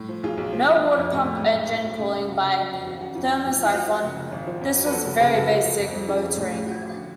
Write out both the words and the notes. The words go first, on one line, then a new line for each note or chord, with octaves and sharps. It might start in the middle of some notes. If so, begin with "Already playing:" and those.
No water pump, engine cooling by thermosyphon - this was very basic motoring.
Already playing: A2
F3
B1 F4 G#4
B1
F3
F3
F3
F2
A2 F#4
A2
G#2
G#2
A2
B1
C#3
F#1
F#1 F#4
F#1
F#3
F2
G#1 F#4
F#2 F#4
F2 F4
F2
A1
F3 F4
F3 F#4
F3
F#1
F#1
G#1
F3
F2
F#3
B4
F3 F#4 A4
F#1
C#2 G#4 B4
C#2 F#4 A4
F3
F3
F2
F2
C#3 F4 G#4
F2
A2
A1 G#4
F3 F#4
F3
D3